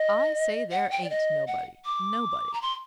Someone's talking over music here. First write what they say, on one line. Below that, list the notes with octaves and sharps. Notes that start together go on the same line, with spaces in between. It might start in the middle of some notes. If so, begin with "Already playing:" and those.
I say there ain't nobody;--nobody.
Already playing: D#5
F#5
G5
D5
D#5
F#5
D6
A#5
C6